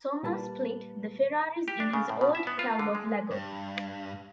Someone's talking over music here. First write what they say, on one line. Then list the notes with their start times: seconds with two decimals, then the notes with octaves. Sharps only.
Sommer split the Ferraris in his old Talbot-Lago.
0.23 A#2 G3 A#3 B4 A5
1.68 G4
1.80 D4
1.93 C#3
2.09 A2
2.21 B2
2.35 E5
2.47 B3
2.59 F4
2.79 D3
2.95 G#3
3.31 G2